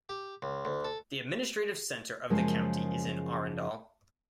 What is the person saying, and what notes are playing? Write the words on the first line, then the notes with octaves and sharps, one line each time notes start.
The administrative center of the county is in Arendal.
G4
C#2
D2
A4
F#2 C#3 F3 G#3 A#3